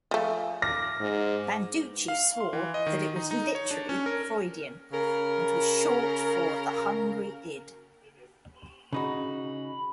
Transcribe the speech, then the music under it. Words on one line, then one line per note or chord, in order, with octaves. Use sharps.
Banducci swore that it was literally Freudian and was short for "the hungry id".
F3 A3 F5 G#5
D6 F6 A#6
G#2
F5
C6
E3
D#5
D#3
D#4
D#4
C#5
D4
C#4
A#4
C#3 A#4
C#3 D#4 F#4 B5